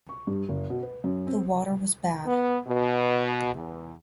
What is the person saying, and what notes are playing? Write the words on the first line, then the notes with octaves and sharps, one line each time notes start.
The water was bad.
C#6
G2
F#1
B2
B4
F#2
C4
B3
B2
E2